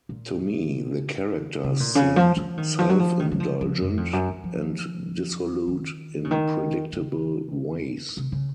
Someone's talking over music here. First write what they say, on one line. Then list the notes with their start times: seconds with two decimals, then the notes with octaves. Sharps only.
To me, the characters seemed self-indulgent and dissolute in predictable ways.
0.09 A#2
1.64 C#3
1.80 A#2
1.95 C#3
2.16 F3
2.37 F3
2.57 D#3
2.79 F3
2.89 F#3
2.99 F3
3.20 D#3
3.31 F#3
3.40 F3
3.61 F3
3.82 F#2
3.97 F2
4.13 F#2
4.29 F3
4.44 F3
5.68 D#3
6.24 C#3
6.31 D#3
6.93 C#3
8.17 C3
8.32 C#3